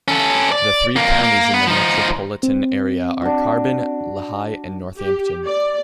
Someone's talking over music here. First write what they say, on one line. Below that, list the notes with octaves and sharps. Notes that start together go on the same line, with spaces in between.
The three counties in the Metropolitan area are Carbon, Lehigh and Northampton.
C#4 A4
D5
F2 A#3
A#3
B3
F3 D#4
C4
D4 F#4
G4
D5